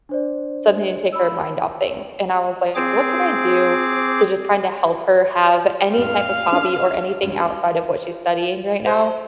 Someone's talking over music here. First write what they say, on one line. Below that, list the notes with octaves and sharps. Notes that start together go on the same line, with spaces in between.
something to take her mind off things, and I was like, "What can I do, to just kinda help her have any type of hobby or anything outside of what she's studying right now?"
D4 C5 D5
B5 E6
C4 G#4 D6
A#1 F2 A2 F5
C#4 D4 G#4
C#2 G2
C5